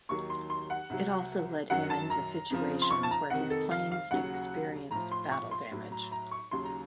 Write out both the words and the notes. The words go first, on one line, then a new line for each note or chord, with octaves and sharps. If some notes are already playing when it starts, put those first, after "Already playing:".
It also led him into situations where his planes experienced battle damage.
D#2 D#3 F#3 C#6
C6
C6
F#5
C2 C3 F#3
F#2 D#3 F#3 F#5
A5
A#5
F2 C#3 F3
C6
C#6
A5
A#5
F2 C3 D#3 F#5
A4
F5
F5
D#2 C#3 F#3 F#5
A2 F3 A#5
C6
C#6
C6
A2 F#3
A#5
A#5
C#6
D#2 C#3 F#3 C6
A#5